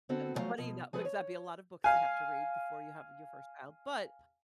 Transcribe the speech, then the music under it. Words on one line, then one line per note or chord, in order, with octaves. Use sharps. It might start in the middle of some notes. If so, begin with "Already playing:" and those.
uh, but, you know because that'd be a lot of books to have to read before you have your first child, but,
D3 B3 C4 F#4 A4
E2 A2 F3 F#3 A3 F5
B2 F3
F3 G#4 A4 B4
C#5
F5 G#5